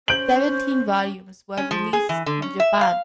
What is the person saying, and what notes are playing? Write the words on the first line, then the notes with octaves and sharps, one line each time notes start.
Seventeen volumes were released in Japan.
C#4 C5 G6 D7 F#7
C#4
F3
G#4
E3
D3
C#4
E5
F5